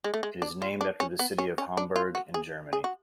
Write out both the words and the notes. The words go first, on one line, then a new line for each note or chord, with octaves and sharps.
It is named after the city of Hamburg, in Germany.
G#3
A3
G#3
D4
F4
D4
C#4
B3
C#4
C#4
D4
F4
F#4
G#4
G#4
F#4